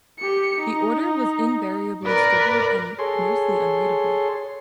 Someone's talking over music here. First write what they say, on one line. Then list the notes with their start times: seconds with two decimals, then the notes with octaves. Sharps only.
The order was invariably scribbled and mostly unreadable.
0.19 G4 C#7
0.60 D#4
2.05 A#4 B4 D5
2.99 G#4 A4 C#5 C6